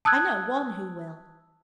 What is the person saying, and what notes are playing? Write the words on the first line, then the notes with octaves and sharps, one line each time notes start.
I know one who will.
A5 D#6 E6 F#6 G#6